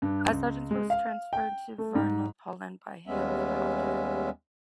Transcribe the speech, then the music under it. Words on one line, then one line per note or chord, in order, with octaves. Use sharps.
A surgeon was transferred to "Verna Paulin" by helicopter.
G2
C#2
G#3
F5
G5
A3
G#2
D#2 G3 G#3 B3 C#4 E5